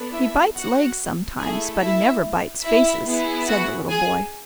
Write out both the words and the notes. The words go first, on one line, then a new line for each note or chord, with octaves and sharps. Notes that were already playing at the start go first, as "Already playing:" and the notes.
"He bites legs sometimes, but he never bites faces," said the little boy.
Already playing: B3 D4 A4
E4 E5
F#4 F#5
A3 E4 G#4 A4 G#5
E4 E5
E4 E5
B3 E4 G#4
F#4 F#5
G#4 G#5